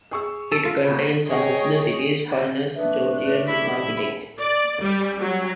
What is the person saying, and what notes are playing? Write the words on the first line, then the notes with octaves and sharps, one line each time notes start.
It contains some of the city's finest Georgian architecture.
G#4 C#6 E6
A4
F4
G#4 A#4 C#5 D#5 G5
A3 D4 B4 E5
E4 G4 B6
D5
G3
F#3